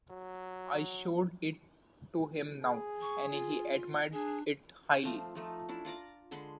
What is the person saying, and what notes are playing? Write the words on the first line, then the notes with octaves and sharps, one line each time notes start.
I showed it to him now, and he admired it highly.
F#3
G#4
C#6
F4
D4 G#4
F3 A3 C4 C5
F3 A3 D#4
C#4 D4 E4
F4 D5 A#5 D6
D3 G#3 B5 C6